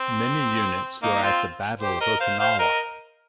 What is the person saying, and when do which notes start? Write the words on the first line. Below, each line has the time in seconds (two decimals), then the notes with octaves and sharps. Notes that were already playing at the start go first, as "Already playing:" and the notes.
Many units were at the Battle of Okinawa.
Already playing: C4
1.03 A#3 D#4
1.15 D#4
1.22 C4 F4
1.81 G4 C5
2.01 A#4 D#5
2.20 C5 F5
2.40 C5 F5
2.59 A#4 D#5